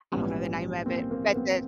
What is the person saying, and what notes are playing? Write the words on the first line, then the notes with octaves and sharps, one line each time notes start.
I don't know the name of it, but the
A#1 G#2 E3 G3 B3 C#4
A#3 C4
A#3 C4
B3
A#3 C4